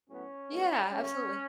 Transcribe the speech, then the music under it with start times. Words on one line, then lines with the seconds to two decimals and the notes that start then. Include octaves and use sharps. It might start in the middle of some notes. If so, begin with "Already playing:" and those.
Yeah, absolutely.
0.09 A2 F#3 B3 C#4
0.50 A2 G#3 B3
0.91 C#3 F#3 A3 C#4